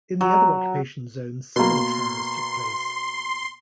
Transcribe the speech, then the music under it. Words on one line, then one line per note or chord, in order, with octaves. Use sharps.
In the other occupation zones similar trials took place.
F#3
B2 A#3 C6